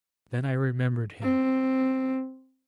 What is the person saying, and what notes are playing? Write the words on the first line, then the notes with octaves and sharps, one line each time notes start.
Then I remembered him.
C4